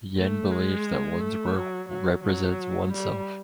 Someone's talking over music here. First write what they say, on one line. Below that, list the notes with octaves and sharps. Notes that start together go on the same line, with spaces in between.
Yen believes that one’s work represents oneself.
A3
G#3
A3
F#3
F#3
F#3
G3